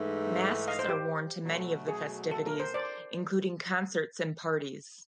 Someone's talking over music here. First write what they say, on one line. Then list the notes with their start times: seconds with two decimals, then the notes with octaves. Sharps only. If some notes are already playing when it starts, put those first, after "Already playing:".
Masks are worn to many of the festivities, including concerts and parties.
Already playing: G#2 E3 A3
0.68 D#5 F5
0.79 C5
0.89 G4
1.44 B2 F#3 A3
1.88 G#4
2.31 A4
2.46 A#4
2.60 C5
2.74 C5 D5